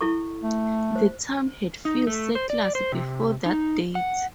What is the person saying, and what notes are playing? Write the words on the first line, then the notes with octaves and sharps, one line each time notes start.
The town had few settlers before that date.
E4 A4 C#6
A3
C5
D#4
A3
C5
D5
C5
C3
D#4
F#5